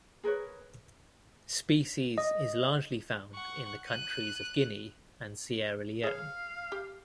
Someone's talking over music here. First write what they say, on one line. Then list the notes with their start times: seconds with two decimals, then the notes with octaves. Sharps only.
Species is largely found in the countries of Guinea and Sierra Leone.
0.24 G#4 A#4 B4 C#5
2.18 D#5
3.34 F#5 C#6
3.87 F#6 D#7
6.04 G#4 C#5 F5
6.72 G4